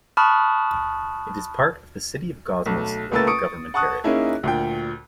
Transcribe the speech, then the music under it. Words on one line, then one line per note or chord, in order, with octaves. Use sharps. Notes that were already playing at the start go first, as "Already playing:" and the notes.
It is part of the City of Gosnells local government area.
A5 B5 C#6 D#6 F6 F#6
B1 A3
C#2 A3 A#3 B4 E6 A6
C#6 D#6 C#7 D7
F#5 A5 C#6 D#6 F#6
A#3 C#4 D#4 E4 G#4
D2 A#2 G5